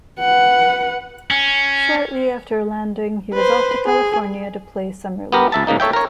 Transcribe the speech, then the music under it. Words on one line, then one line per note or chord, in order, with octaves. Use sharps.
Shortly after landing, he was off to California to play Summer League.
B4 F#5
C#4
B4 C5
G#4
B3 G4 A#4
C#2 E5 A5
G#2 C#3 A#3 D#4
A4 C#5 E5 G5
A#4 C#5